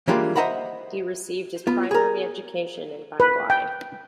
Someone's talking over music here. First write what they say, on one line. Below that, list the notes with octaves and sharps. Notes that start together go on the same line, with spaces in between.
He received his primary education in Bangui.
E3 G3 G#3 A#3 D4 F4
C5 D#5 E5 F#5 A#5 B5
B3 F4
G#4 A#4
B4
G5